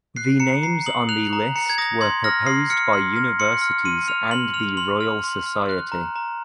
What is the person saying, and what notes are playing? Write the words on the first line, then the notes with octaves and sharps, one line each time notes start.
The names on the list were proposed by universities and the Royal Society.
F#6 C7
A#5 C#7
A#5 C7
D#6 F#7
F#6 F7
A#5
A#5 C#7
G#6
D#6 A#6
C6 G#6
F6 A#6
C6 C7
F6 C#7
C6
F6
C6 C#7
F6
C6 D#7
F6 F7
C6 F#7
F6 F7
C6 F#7
F6
C6
F6
F#6
A#5
A#5